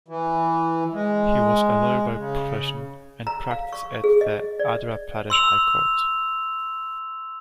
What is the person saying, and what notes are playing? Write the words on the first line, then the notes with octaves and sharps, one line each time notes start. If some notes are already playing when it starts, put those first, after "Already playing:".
He was a lawyer by profession and practised at the Andhra Pradesh High Court.
E3
G#3
C#3
A#5
F5
C#6
G#4
D#5
D5
C6 E6 F7